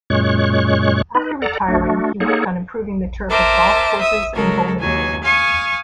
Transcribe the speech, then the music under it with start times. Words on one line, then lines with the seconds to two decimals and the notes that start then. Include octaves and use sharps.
After retiring, he worked on improving the turf of golf courses and bowling greens.
0.10 F#2 A#2 G#3 C#5 C#6 F#6
1.15 D#4 B4
1.42 A4 D5 F#5 A#5
1.68 A3 D4 F#4
2.20 A#3 D#4 G#4 A4 C#5 F#5
3.30 A#4 C5 E5 A5 D6
3.99 E5 D#6 E6
4.34 C#3 F#3 G#3 A4 A#4
4.79 D#2 F#3 G#5
5.22 F5 G#5 C#6 D#6